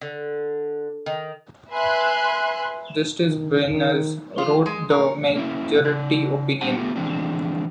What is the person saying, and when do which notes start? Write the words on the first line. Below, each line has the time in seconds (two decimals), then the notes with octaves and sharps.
Justice Byrnes wrote the majority opinion.
0.01 D3
1.06 D#3
1.72 B4 E5 G#5 B5 C6 F#6
3.24 D#3
3.69 D#3
4.38 F4
4.66 G#3
4.90 A#4
5.36 A#3 C#4 E4
5.80 C#3 D5
6.61 A#2 G3 D4 G4 F#5 A5
6.76 A3 B3 F4 G4
6.96 D3 E3 F3 G#3 C4 D4